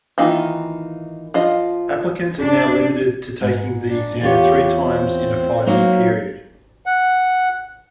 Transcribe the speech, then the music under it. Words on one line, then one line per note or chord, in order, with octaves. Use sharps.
Applicants are now limited to taking the exam three times in a five-year period.
D#3 E3 A#3 D#4 F4
F3 F4 D#5
D4
G#2
D4
E2 F4 G4 C#5
C4
F#3 A#3 D#4
F#5